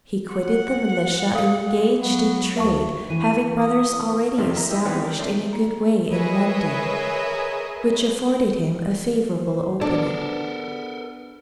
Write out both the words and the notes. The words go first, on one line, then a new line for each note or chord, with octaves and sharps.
He quitted the militia and engaged in trade, having brothers already established in a good way in London, which afforded him a favourable opening.
F#5
G4 A4 F5
F#3 B3
D2 E5 A5 C#6
E3 D#7
D#6
A1 D#2 C3 D#3 E5 C6
E4 E5 A#5
G4 D#5 E5 E6
E3 G3 B3 C4 D#4
G4 A#4
A3 C4 D4 D#4 E5
A#3
G#4 A#4 B4 C#5 D#5 E5
C5
B3 D4 A4 A#4